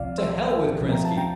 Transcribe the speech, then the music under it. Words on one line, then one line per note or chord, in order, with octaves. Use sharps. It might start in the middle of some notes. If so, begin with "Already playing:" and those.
To hell with Kerensky!
Already playing: C2 C3 F3 D5 F5
C5 E5
E5 G5
C2 C3 F3
A#5
A5
G5 A#5